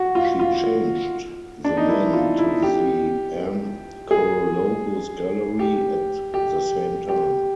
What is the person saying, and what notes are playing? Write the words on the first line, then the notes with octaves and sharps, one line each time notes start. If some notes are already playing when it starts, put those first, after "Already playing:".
She changed the name to the Ann Korologos Gallery at the same time.
Already playing: F#4
F4
F4
D4
D#4
E4
F4
E4
G4
G#4
G4
G4
G4